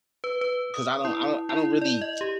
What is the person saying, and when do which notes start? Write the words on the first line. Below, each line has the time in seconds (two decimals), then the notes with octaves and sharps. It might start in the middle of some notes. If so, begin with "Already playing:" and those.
'cause I don't I don't I don't really
0.24 B4
0.41 B4
0.74 D#6
1.05 E4
1.49 E4
1.81 D5
2.02 D#5
2.21 G4